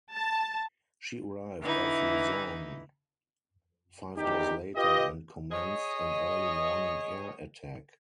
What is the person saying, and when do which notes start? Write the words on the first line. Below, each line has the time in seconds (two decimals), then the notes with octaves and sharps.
She arrived off Luzon five days later and commenced an early morning air attack.
0.13 A5
1.61 D3 E3 D#4 E4
4.17 E2 D#3 D#4 G4
4.76 F4 G4 B4 D#5
5.52 G#4 C#5 D#5